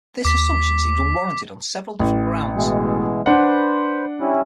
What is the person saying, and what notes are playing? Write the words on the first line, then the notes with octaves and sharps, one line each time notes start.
This assumption seems unwarranted on several different grounds.
D#2 D6 B6
A1
B2 E3 G#3
D4 B4 C5 F#5
G3 C#4 E4